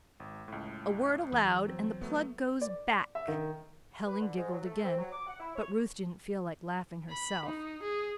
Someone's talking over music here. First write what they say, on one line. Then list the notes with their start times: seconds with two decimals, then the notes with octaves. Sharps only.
"A word aloud and the plug goes back." Helen giggled again, but Ruth didn't feel like laughing herself.
0.20 G#1
0.48 C#2 A2
1.32 E2
1.66 F#3 C4
2.01 F#3 A3 B3
2.61 D5
3.15 E5
3.28 D#3
4.07 B4
4.20 D3
4.37 G#2
4.51 F#3
4.64 A3
4.84 C4
4.97 F#3
5.12 D6
5.26 F#5
5.40 E4
5.55 C#5
7.10 B5
7.46 D#4
7.83 G#4